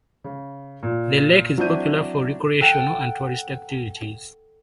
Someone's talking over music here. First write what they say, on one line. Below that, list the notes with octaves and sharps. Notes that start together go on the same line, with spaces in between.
The lake is popular for recreational and tourist activities.
C#3
A#2
F#3 C4 D4 E4 G6 D#7
A4 F#5 G5 A5